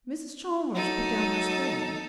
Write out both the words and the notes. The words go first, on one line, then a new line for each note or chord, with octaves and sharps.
Mrs. Chalmers put down her spoon.
F#3 D#4 A4